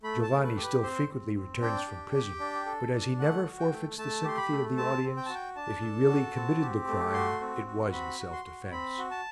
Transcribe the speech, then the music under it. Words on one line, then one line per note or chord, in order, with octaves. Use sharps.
Giovanni still frequently returns from prison, but as he never forfeits the sympathy of the audience, if he really committed the crime it was in self-defence.
A3 B5
A5
A3
B4
G4
B4
C4 C5
C4
C4
D4 G5
G4
G4
D4
A4
D4
A3 F#5
F#4
G5
A3
A3 A5
G4 C6
B5
A3
C4 A5
C4
G5
F#4 A5
G5
D4 A5
A4
F#4
C4
G4
A3
F#4 C6
C4
F#4
C4 B5
F#4
C6
F#4
C4 B5
F#4
A5